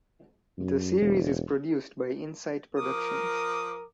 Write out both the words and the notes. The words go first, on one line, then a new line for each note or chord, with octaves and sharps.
The series is produced by Insight Productions.
F#2
E1
F3 A#4 D6 D#6